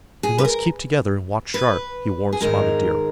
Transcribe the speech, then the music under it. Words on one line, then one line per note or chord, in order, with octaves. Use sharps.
"We must keep together, and watch sharp," he warned Spotted Deer.
G#4
B4
A#4
B4
G#4
G#2 D#3 G#3 A#4